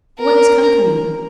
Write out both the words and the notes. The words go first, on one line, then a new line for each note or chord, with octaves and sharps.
What is come to me!
A#4